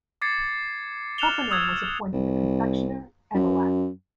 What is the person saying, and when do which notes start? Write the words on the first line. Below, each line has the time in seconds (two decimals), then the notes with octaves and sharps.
Tropinin was appointed a confectioner and a lackey.
0.21 D6 G#6 A6 C7 C#7
1.18 F6 F#6 C#7 E7 F7 G7
1.51 C#6 D#6 E6 F#6 G#6
2.13 C2
3.35 F#2